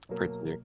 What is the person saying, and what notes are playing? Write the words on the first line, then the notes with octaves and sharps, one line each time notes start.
Pray clear
B2 F#3 A#3